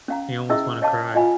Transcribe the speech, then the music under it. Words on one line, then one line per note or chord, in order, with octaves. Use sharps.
me almost wanna cry.
C#4 F5 A#5
C#4 E4 G#4 D#5 E5 E6
C#5 D#5 F5 A5 D6
F4 D#5 F5 G#5 B5